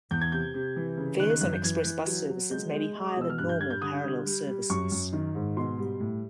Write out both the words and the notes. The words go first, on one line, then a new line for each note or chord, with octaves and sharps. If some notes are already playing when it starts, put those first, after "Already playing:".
Fares on express bus services may be higher than normal parallel services.
E2 G6
G#6
C3 G6
C3
E3
C#3
D#3 F#6
F#6
F#2 F#6
G6
E3 G#6
E3
F#3
F#3
G#3 G6
G#3
G#3
D6
D#6
B2 E6
F6
G2 F#6
G6
G3 G#6
G6
D3 D#6
G3
G3
G3
F#2 C#6
F#2
D#3
G#2
B2 C6
G3
A2